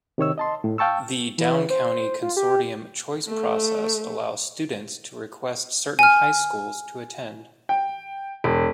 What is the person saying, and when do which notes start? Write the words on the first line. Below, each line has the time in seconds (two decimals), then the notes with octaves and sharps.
The Downcounty Consortium choice process allows students to request certain high schools to attend.
0.18 C3 D#3 C#5 E6
0.38 D#5 A5 C6
0.64 A2
0.78 F5 G5 A5 C#6 E6
1.38 E3
1.70 C5
2.22 F4
2.37 G4
3.27 A3
5.99 G#5 F6
7.69 G5
8.44 E1